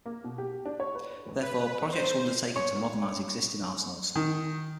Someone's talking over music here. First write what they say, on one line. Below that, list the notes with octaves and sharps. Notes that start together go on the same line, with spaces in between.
Therefore, projects were undertaken to modernise existing arsenals.
A#3
B2
G4
D4
C#5
B4
B4
C5
C#5
D#3